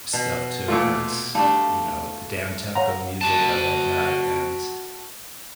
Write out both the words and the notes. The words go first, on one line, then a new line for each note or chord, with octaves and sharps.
stuff too, where it's, you know, the downtempo music, I love that, and
B2
A#2 A3 F4
G3 A3 D4 F5
C#5 F5 F#5 A#5
F#4 A5